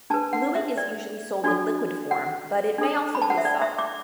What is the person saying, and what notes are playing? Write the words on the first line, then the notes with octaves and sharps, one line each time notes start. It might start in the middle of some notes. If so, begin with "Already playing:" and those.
Bluing is usually sold in liquid form, but it may also be a solid.
D4 B4 A5
F#5
E5
D5
D4 F#4 A4 D5
F#5
D4 A4
B5
A5
F#5
E5
D5
E5
D6